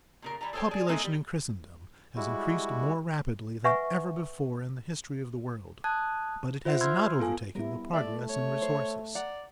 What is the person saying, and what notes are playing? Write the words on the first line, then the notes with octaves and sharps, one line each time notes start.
Population in Christendom has increased more rapidly than ever before in the history of the world, but it has not overtaken the progress in resources.
A#2 C#3 A#4
E3 G3 A5 A#5
G#4 A4 C5 C#5 G5 A5
G#4 D5
G#3 A#3 C4 D#4 A4 E5
G3
G3 G#3 E4 F#4
B4 E5 F#5 G#5 C#6
A5 D#6 F#6 G#6
F4 C5 E5 F#5
B5 C6 E6 F6 G6 G#6
B3 F4 A4 G#5
G3 B3 E4 A#4
A3 D5 E5
C#5
C5
D5 F#5 A#5